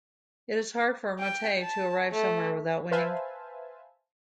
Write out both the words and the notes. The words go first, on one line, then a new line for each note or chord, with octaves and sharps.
It is hard for Montali to arrive somewhere without winning.
G5
A5
A3
B4 C5 E5 F5 G#5 A5